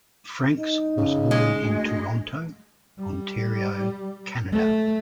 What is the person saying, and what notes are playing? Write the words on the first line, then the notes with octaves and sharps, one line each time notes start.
Francks was born in Toronto, Ontario, Canada.
D#4
C#3
G#3
D2
G3
A3